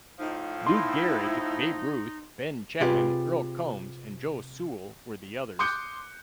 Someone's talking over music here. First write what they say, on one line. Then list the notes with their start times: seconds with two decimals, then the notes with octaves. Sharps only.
Lou Gehrig, Babe Ruth, Ben Chapman, Earle Combs and Joe Sewell were the others.
0.19 A2 F3 D#4
0.66 D#4 E4 C6
2.81 C3 F4 G4 G#4 B4
5.59 C6 D6 D#6 F#6 G6 C#7